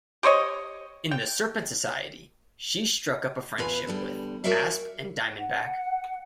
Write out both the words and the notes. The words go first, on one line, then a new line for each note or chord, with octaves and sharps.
In the Serpent Society she struck up a friendship with Asp and Diamondback.
G4 C5 C#5 D#5
G5
E2 F4 B4 G#5
E2 D3 G3
F#4 A#4 C#5 D5 E5 F5
F#5